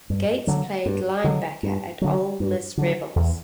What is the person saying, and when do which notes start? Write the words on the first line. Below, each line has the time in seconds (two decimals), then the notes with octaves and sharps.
Gates played linebacker at Ole Miss Rebels.
0.10 G2
0.47 D3 F#3
0.86 G2
1.24 D3 F#3
1.63 G2
2.01 D3 F#3
2.40 G2
2.77 D3 F#3
3.16 E2